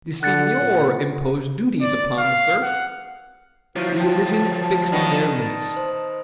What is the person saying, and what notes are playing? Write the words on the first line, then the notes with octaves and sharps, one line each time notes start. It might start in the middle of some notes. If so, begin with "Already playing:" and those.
The seignior imposed duties upon the serf; religion fixed their limits.
D3 F#5 F#6 A6 C#7
A#2
D5
F5
F#5
F3 F#3 E4 F#4 B4 C#5 F5 D7
G5 A5
D#3 B3 D#4 D5 C#6
C5